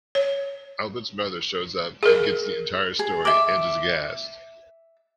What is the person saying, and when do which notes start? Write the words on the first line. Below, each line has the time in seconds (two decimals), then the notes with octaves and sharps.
Albert's mother shows up and gets the entire story and is aghast.
0.15 C#5
2.03 G#4 A#4
2.99 G#4
3.25 E5 D6